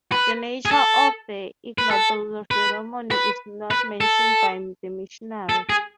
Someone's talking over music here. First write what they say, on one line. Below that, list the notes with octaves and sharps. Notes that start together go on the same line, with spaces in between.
The nature of the ignoble ceremony is not mentioned by the missionary.
B4
G#4
A4
B4
A4
B4
B4
B4
A4
A4
G#4